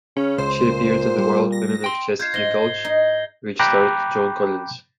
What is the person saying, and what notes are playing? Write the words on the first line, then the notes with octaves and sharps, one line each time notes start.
She appeared in "The Wild Women of Chastity Gulch", which starred Joan Collins.
C#3 C#4
C#2 C5
A#2
G3
A#6
G5 C6
F4 G6 G#6 C7
G#2 A#6 G7
D#4
G5 A#5 B5 D6 F#6 G6